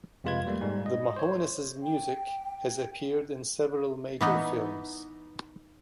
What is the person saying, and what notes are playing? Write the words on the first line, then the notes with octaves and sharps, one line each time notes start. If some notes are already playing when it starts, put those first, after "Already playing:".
The Mahones' music has appeared in several major films.
F2 C3 G#3 F4 B4 G#6
G3 A3 A#3
G#2 G3
D#5
C5 C#5
G5
E3 B3 D#4